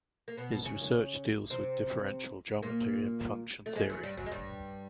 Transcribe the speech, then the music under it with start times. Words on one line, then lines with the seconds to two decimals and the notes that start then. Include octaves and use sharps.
His research deals with differential geometry and function theory.
0.28 A#3
0.37 B2 B3
0.65 C#3 C#4
1.50 C3 C4
2.62 A#2 A#3
3.66 A3
3.75 G#2 G#3
3.89 F#2 F#3
4.03 G2 G3
4.17 F#2 F#3
4.26 G#3
4.32 G2 G3